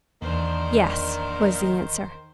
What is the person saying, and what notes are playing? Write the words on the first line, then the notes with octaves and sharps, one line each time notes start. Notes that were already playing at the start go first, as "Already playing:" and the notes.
"Yes," was the answer.
E2 D#3 A#3 D4 C5